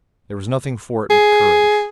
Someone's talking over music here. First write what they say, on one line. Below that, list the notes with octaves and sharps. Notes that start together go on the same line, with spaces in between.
There was nothing for it but courage.
G#4